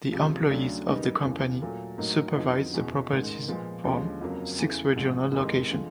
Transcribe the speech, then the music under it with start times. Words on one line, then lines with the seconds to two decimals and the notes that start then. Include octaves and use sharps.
The employees of the company supervise the properties from six regional locations.
0.12 C#2 C3 F3
0.49 D2 C#3 F#3 A3 D4
0.87 F#2 D#3 G3 B3 D#4
1.25 D#2 C#3 E3
1.62 A#2 F#3 A3
1.98 A2 F#3 A#3 D#4
2.35 F2 D3 F#3 B3 D#4
2.73 F#1 E2 B2
3.10 A1 G#2 D#3 G#3
3.47 A#2 F3 G#3 B3
3.84 D#2 D3 F3 G#3 C#4
4.21 F2 C#3 F#3 A#3
4.58 E2 C#3 E3 A3
4.96 A1 G#2 F3
5.32 F1 E2 C3 D#3 G#3
5.71 D3 F3 G#3